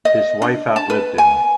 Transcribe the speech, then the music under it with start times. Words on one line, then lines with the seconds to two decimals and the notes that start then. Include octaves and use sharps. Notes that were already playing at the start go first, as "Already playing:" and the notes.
His wife outlived him.
0.05 D#5
0.42 D4
0.76 A5
0.90 B4
1.18 G#5